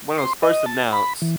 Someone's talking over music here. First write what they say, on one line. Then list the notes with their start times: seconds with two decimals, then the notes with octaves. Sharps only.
when it was first announced
0.18 C6
0.43 D#5
0.66 A5
0.93 B5
1.22 E3